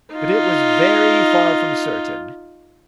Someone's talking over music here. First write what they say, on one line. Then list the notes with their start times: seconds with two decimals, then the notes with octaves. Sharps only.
But it was very far from certain.
0.15 D#4 F4